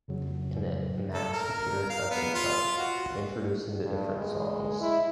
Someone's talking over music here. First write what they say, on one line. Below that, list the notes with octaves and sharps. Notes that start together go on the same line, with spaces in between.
In it, Max appears as himself, introducing the different songs.
F2 C#3 F#3
A4
A#4
F5
B3
F4
F#4
G2
G#3
E4